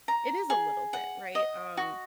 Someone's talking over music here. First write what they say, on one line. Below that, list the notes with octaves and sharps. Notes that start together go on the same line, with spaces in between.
it is a little bit, right? Um,
A#5
G#4
F#5
D#5
F#4